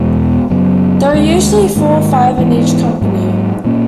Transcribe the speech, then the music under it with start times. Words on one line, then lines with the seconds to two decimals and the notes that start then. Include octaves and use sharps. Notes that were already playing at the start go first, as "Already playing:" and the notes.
There are usually four or five in each company.
Already playing: E2 B2 G#3 B3
0.50 F#2 C#3 F#3 B3
1.13 D#2 C#3 G#3
1.76 G#2 D#3 A#3
2.38 G#2 E3 B3
3.01 G#2 F#3 A#3
3.65 A#2 A#3 C#4